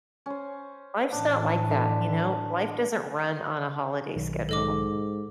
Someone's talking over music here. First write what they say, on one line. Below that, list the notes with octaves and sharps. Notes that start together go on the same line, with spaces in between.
life's not like that, you know? Life doesn't run on a holiday schedule.
C#4 C5
A2 E3 D4 A5
D3 E5
B1 D#3
G#2 A4 D#5 D6